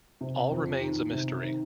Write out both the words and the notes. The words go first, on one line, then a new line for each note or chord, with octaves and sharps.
All remains a mystery.
C3
F2
D#3
C3
D#3